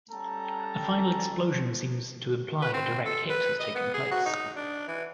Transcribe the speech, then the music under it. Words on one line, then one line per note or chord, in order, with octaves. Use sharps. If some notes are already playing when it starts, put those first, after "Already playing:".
A final explosion seems to imply a direct hit has taken place.
G3 C#4 A4 G5 A5 A#5
B4
C4
A4
B4
D#5
B3
G#4
F#4
D#4
D4
E3